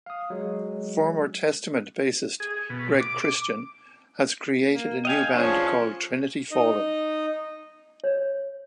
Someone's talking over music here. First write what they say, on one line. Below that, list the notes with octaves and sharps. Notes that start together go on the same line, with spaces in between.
Former Testament bassist Greg Christian has created a new band called Trinity Fallen.
F5 D#6
F#3 G#3
G#4
B2
D6
A#3
D#5 F5 G5 G#5
F3 C#4 D4 G#4 C#5
D#4 D#5
C#5